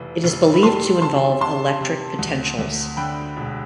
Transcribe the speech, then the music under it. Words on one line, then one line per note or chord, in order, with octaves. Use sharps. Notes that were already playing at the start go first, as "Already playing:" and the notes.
It is believed to involve electric potentials.
Already playing: F1 E3
F1
B5
G3 A5 C6
G3 A5 C6
C3 A5 C6
C3
D2
D2
D3 G5 B5
E1